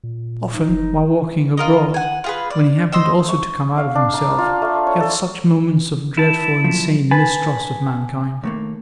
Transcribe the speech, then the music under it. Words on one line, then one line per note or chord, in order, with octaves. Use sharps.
Often while walking abroad, when he happened also to come out of himself, he had such moments of dreadful and sane mistrust of mankind.
A#2
D#4
F#1
F4 A#4 D#5
F#5 G#5
F4 G#4 B4
D5
C5 D#5 E6
C#6
F5
D4
A#5
F4
A3
C#5
A4
E4 A5
A#2 F3 F#3
B4 G#5 A5 B5
D#2 A3 A#3